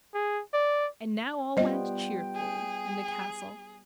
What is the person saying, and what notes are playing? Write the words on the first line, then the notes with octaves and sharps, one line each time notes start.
And now all went cheerfully in the castle.
G#4
D5
G3 B3 F4 C5 D#5 G5
G#4